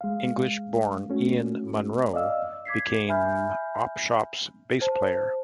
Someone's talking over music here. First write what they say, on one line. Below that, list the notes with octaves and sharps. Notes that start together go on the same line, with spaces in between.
English-born Ian Munro became Opshop's bass player.
G#3 F5
A3 C#4 F#4
D5 D#5 F5 E6
D6 G#6 B6 C7
E5 G#5 B5 F6 G6
C5 A5